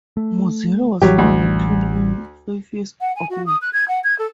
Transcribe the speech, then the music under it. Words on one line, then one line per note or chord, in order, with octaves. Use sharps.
Mozilla was founded twenty-five years ago.
A3
A1 E3 F#3 G3 G4
D2
F#5
G#5
F#4
D#6
F#6
G#6
F#5
G#6
A4